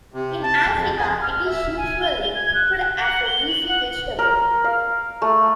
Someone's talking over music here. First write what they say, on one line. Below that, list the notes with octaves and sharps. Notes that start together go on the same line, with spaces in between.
In Africa, it is usually cooked as a leafy vegetable.
C3
A5
F2
G#4
F6
E5
G#5
G7
G#6
F#6
F#5
G7
F#7
F#5
A#4
F5
A3